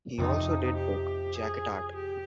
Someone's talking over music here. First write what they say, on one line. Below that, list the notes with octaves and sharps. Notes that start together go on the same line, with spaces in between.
He also did book jacket art.
F2 C3 F3 D#4
G4
G#4
G4